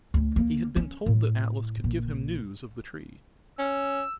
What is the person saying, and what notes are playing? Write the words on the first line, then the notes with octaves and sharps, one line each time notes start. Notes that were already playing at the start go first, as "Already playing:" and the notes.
He had been told that Atlas could give him news of the tree.
D2
A#3
C#4
A2
A#1
C#4 E6